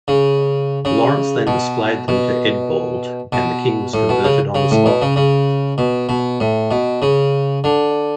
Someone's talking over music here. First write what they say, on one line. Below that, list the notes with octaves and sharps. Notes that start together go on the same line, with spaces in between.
Laurence then displayed them to Eadbald, and the king was converted on the spot.
C#3
C#3
B2
B2
B2
A2
B2
C#3
C#3
A2
B2
C#3
C#3
B2
B2
A2
B2
C#3
D3